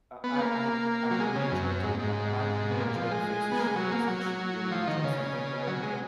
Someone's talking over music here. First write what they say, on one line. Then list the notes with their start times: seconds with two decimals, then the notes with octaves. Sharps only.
I I I I really enjoy doing that, and I really enjoy the faces she makes when she really enjoys something that I've made.
0.24 B3
0.40 A#3
1.11 F#3
1.20 G#3
1.36 C#3
1.52 F#2
1.83 G#2
2.00 G#2
2.71 B2
2.79 A#2
2.96 F3
3.11 G#3
3.51 B3
3.59 A#3
3.67 G#3
3.76 F#3
3.91 A#3
4.08 F#3
4.71 F3
4.87 D#3
5.04 C#3
5.67 F#3
5.83 G#3